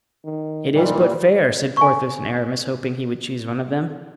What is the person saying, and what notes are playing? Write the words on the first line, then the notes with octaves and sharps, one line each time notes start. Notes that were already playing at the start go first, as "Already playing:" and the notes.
"It is but fair," said Porthos and Aramis, hoping he would choose one of them.
D#3
A#2 D#3 E3 G3
G#5 C#6